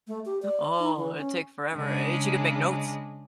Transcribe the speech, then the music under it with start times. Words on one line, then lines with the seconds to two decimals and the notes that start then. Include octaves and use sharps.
Oh, it take forever and she could make notes.
0.08 A3
0.26 G4
0.43 D5
0.79 D#4
0.97 E3
1.17 C#4
1.74 C#3 G#3 D4